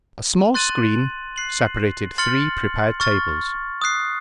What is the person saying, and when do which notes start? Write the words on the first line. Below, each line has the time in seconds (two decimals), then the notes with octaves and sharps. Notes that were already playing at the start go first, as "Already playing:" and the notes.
A small screen separated three prepared tables.
0.54 C6 F#6 A6 D#7 F#7
1.36 F#6 C7 F#7
2.18 C6 F6 A6 C#7 F#7
3.00 C#6 F6 A6
3.82 D#6 F#6 C7